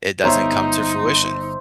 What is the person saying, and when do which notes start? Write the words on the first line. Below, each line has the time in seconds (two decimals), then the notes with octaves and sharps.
it doesn't come to fruition.
0.24 G1 B3 D#4 C5 C#5 E5 A#5